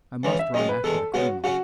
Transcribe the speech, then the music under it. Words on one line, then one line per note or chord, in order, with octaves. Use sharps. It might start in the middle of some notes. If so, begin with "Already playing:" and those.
I must run after the criminal.
C#2 C#3 E3
E5
F#2 D#3 G#3 D#5
B4
E2 D#3 G#3 A4
C#3 G#3 B3 F#4
C#3 F#3 C#4 F#4